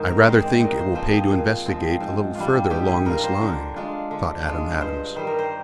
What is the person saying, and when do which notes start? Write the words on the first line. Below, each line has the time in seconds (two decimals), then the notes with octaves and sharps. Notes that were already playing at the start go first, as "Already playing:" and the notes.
"I rather think it will pay to investigate a little further along this line," thought Adam Adams.
Already playing: G#2 D#3 D#4 C5
0.08 A#4
0.24 D#3 G#3 C4 D#4 C5
0.43 D5
0.60 A#2 D#5
0.78 C5
0.95 F3 G#3 C4 C5
1.13 G#4
1.31 A#2
1.66 F3 G#3 C4
2.00 G#2
2.35 G3 D4 F4
2.70 G#2 G4
2.88 G#4
3.05 G3 D4 F4 A#4
3.24 C5
3.41 D3
3.76 G#3 D4 F4
4.11 D3
4.46 G#3 D4 F4
4.81 G2 C5
5.16 D#3 G3 C5
5.27 A#4
5.39 C5